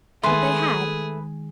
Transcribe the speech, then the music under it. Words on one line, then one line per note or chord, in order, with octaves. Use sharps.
But they had.
D#3 G#3 A3 G#4 B4 G#5 C6